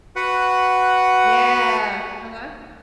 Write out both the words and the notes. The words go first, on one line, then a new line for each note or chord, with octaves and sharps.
Yeah. Uh-huh.
F#4 B4 F#5